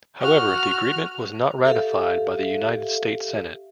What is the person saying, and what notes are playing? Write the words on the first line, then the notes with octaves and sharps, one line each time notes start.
However, the agreement was not ratified by the United States Senate.
F#4 F6
G4 A4 E5 F5